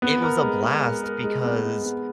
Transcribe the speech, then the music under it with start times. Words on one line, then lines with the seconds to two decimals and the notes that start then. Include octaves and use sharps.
it was a blast because
0.02 B3
0.22 A#4
0.42 G#3
0.63 G#3
0.83 A#4
1.03 A#4
1.24 G#3
1.44 B3
1.64 G#3
1.84 B3